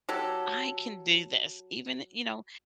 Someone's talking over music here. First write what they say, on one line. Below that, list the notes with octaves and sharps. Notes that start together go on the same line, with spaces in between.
I can do this, even" you know,
F#3 G4 A4